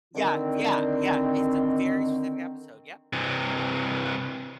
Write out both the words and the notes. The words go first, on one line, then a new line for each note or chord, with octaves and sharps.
Yeah, yeah, yeah, it's a very specific episode, yep, mhm.
D3 D#3 C4
C3 E3